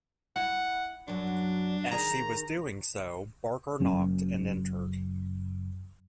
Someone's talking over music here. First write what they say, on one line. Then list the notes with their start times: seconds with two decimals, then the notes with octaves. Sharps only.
As she was doing so Barker knocked and entered.
0.36 E4 F#5
1.08 F#2 F#3 D4
1.92 D#3 D#4 G#4 A#5
3.80 F#1 F#2 C#4